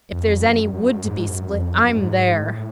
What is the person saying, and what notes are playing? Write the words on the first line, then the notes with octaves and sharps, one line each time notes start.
"If there's any wood to be split, I'm there!"
F2
F#2
F#2
G#2
F#2
F2
F#2
G#2
A2